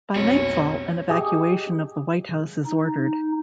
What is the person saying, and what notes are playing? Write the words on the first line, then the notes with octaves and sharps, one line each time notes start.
By nightfall, an evacuation of the White House is ordered.
F1 B1 C4 C#5
G4 G#4 D#5
D#4